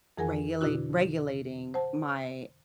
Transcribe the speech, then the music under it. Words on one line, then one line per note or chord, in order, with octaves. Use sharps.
regulate regulating my
F2 E3 G#4 A#4 F#5 G#5
B2 D3 D4 E4 F#4
C5 F#5 A5